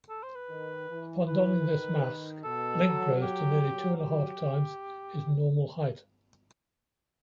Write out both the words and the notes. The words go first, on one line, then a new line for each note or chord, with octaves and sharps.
Upon donning this mask, Link grows to nearly two-and-a-half times his normal height.
A4
C5
B4
D#3
E3
E3 B4
D#3
B2 A4
F#3
G4
F#3
G4